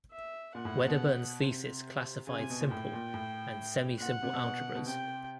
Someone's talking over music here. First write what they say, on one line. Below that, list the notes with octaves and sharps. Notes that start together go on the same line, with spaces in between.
Wedderburn's thesis classified simple and semisimple algebras.
E5
A#2 F#5
A2
A#2
B2
C3
C#3 G#5
C3
B2
A#2
A2 G5
A#2
A2
A#2 F#5
C3
B2
B2
B2
C3 G5